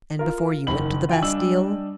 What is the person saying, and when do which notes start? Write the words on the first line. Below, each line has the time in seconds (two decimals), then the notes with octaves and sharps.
"And before you went to the Bastile?"
0.19 F4 A#4
0.67 F#1 D#3 B5 F#7
1.09 F4 G5 G#5
1.22 G3 D4 D#5 E6 F#7